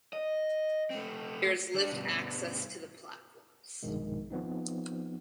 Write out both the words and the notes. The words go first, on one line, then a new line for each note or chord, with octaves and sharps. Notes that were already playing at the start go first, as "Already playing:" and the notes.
There is lift access to the platforms.
D#5
A3 C4
G3 D4
G2 B2
A#1 G2 B2 D#3 G#3
F3 B3 C4 D#4